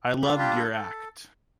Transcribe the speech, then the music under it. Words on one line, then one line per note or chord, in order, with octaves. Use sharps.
I loved your act.
G3 D4 F4 G4
G4
A4
A4